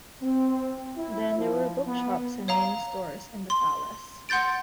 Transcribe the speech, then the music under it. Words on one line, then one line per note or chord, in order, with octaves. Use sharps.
Then there were bookshops and many stores in the palace.
C4
E4
F3
B3
C#5 F5 A#5
C6
F#5 C6 G6 A6 D7